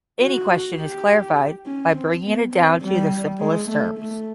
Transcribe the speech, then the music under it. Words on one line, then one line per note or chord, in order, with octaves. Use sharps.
Any question is clarified by bringing it down to the simplest terms.
F#4
G4
C#4
C4
B3
C4
G3
G#3
A3
A3